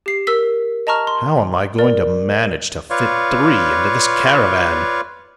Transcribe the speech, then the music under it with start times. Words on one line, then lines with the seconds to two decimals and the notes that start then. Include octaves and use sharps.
How am I going to manage to fit three into this caravan?
0.06 G4 C7
0.27 A#4 E6 B6
0.87 D#5 A5 A#5 C#6 F6
1.07 C6
1.78 A#4 D5
2.90 F4 B4 C#5 D5 F5 C#6